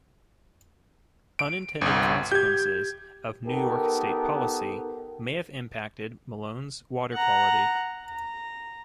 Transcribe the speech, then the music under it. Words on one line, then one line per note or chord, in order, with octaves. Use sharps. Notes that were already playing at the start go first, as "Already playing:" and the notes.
Unintended consequences of New York State policy may have impacted Malone's water quality.
D7
G1 C2
G4 G6 G#6
B3 D#4 G4 A4 A#4
F#5 A#5
A#5